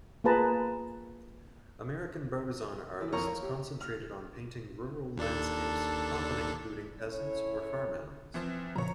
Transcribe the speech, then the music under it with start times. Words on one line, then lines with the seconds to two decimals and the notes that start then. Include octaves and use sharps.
American Barbizon artists concentrated on painting rural landscapes often including peasants or farm animals.
0.24 A#3 F4 G#4 B4 A5 A#5
3.00 E3
3.12 F2 A#4 C#5 A#5 C#6 F6
3.27 C#5
3.42 G4
3.81 F6
5.17 D#2 D4 A4
7.02 C#4 E4 A4 C#5
8.34 E3 F3 C4
8.76 A#2 C#3 F3 C#5 A#5